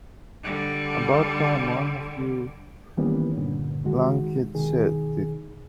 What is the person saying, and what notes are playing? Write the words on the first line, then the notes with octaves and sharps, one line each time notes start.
About time one of you lunkheads said it.
D3 G3
D#3 E3 G3 A#3 B3 C#4
G2 A#2 D3
D#3 G#3 F#4
B2 D#3 G#4